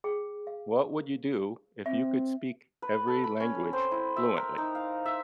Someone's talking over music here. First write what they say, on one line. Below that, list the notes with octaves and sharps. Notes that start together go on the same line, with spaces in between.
what would you do if you could speak every language fluently?
G#4 G5
F5
C4 E5
B4
A4
B5
C#4
C4
E4
E5
A#4
D#4
F5
E5